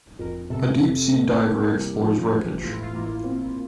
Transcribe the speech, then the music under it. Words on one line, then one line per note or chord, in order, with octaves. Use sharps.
A deep sea diver explores wreckage.
F2 A#4
C3 A4
C4
C4
A#3 G4
C2
F3
E1
A2 F4
E4
F4
A1 A#3
C4